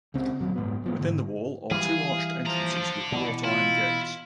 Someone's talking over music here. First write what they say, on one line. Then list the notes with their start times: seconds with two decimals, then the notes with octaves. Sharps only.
Within the wall are two arched entrances with wrought iron gates.
0.14 C#2 C#3 C4
0.40 D#2 A#2 F#3
0.56 F#1 G#2 B3
0.84 F#1 F3 B3
0.99 G#2 D3
1.71 E3 G3 G#4 F5
2.46 A#2 F3 A#5
2.77 D3 D4
3.12 B2 E3 D5
3.44 E4 F4